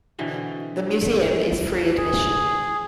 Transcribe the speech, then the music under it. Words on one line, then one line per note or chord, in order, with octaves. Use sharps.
The Museum is free admission.
B2 D3 E3 C4
G#4